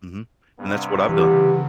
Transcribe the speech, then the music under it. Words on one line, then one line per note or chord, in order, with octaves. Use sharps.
Mhm. And that's what I've done.
G2 C3 B3
C#3 E3 G4